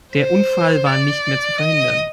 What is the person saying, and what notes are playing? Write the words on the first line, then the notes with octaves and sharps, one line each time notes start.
Der Unfall war nicht mehr zu verhindern.
C5
D5
D#5